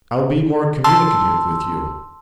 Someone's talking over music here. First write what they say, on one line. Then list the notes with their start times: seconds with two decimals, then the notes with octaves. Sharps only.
I'll be more communicative with you.
0.84 A5 C6 E6